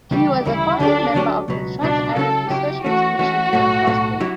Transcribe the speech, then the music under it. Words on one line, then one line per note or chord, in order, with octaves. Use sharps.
He was a founding member of the Trans-Arab Research Institute in Boston.
D2 C#3 E3 G3 G4
D2 C#3 E3 G3 E4
D2 D3 F#3 C#4 D4 G4
D2 D3 F#3 C#4 G4
C#2 B2 F#3 B3
C#2 B2 F#3 B3 D4
C#3 F#3 C#4 E4 A4
C#3 F#3 C#4 E4 G4
E3 A3 C#4 F#4
E3 A3 C#4 F#4
B1 A2 F#3 A3
B1 A2 F#3 A3
F#3 E4 G4